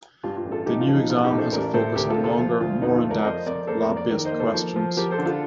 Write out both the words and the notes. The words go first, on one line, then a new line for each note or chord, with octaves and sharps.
The new exam has a focus on longer, more in depth, lab-based questions.
G2 F4
F4
A1
F4 A4
A1 D#4 G4
F4
F3
D#4
A1 F4
D#4 G4
A1
A4 C5
A1 A#4 D5
A2 A4 C5
D2 G4 A#4
F4 A4
C3
F4 A4
F3 F4
D2 F4
F2 D#4
F4
A3
A#4 D5
F2 C5 D#5
F2 A#4 D5
A#3 A4 C5
A#4 D5
F2
A#4 D5
D#3 A#4 D5
C5 D#5
A#3
A4 C5
F3
F3
F3 G4 A#4
A4 C5
D3
F4 A4